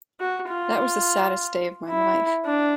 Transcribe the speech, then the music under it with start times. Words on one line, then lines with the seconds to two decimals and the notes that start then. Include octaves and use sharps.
That was the saddest day of my life.
0.20 F#4
0.48 F4
1.89 E4
2.45 D4